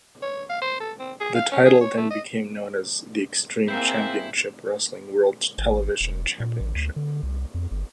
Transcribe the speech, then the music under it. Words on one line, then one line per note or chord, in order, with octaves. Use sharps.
The title then became known as the Extreme Championship Wrestling World Television Championship.
C#5
F5
C5
A4
C4
G#4
F5
C#4
G#4
C#5
A3
D#5
A#3 C4 E4 G#4 G6 C7 E7
G#1
E1
A#2
A1
D2
D3
C2
F2
G1